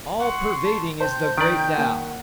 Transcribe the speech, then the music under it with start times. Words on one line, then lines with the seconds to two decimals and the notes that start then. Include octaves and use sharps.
All-pervading is the Great Tao!
0.19 F#5 C6 C#6
0.65 A5
1.00 C5 G5 A5 G6
1.38 D#3 D5 G5 A#5 B6 D7
1.78 A#3 F#5